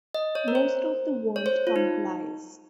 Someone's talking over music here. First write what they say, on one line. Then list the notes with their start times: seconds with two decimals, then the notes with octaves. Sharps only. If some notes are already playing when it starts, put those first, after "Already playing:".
Most of the world complies.
0.14 D#5
0.35 C#5
0.48 A#4
0.55 C5
1.36 C#5
1.46 C5
1.67 F4
1.76 D#4